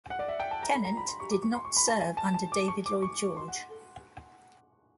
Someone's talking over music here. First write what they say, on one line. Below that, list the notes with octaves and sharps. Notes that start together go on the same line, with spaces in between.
Tennant did not serve under David Lloyd George.
F#5
D5
E5
G5
A5
A#5
B5
A#5
B5
C6
C#6
D6
C#6
C6
C#6
B5
A5
G#5
A5
A5
D6
C#6
D6
C#6
C6
F#5